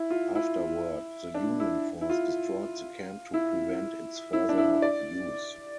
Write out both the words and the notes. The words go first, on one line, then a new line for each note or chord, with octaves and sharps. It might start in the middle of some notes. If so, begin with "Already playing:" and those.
Afterward, the Union force destroyed the camp to prevent its further use.
Already playing: E4
F4
E4
D4
E4
E4
F4
E4
E4
D4
E4
D5